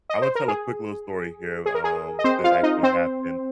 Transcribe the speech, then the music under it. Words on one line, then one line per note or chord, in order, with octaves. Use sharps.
I wanna tell a quick little story here, um, that actually happened.
D#5
C5
A#4
G#4
G#4
A#4
G#4
D#5
C4 C5
F4 F5
D#4 D#5
C4 C5